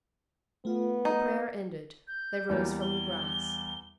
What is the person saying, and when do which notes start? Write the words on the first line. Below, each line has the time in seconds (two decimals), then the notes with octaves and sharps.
The prayer ended, they rose from the grass.
0.65 A3 B3 F4
1.05 D#4
2.08 G6
2.49 E2 G3 A#3
2.82 G7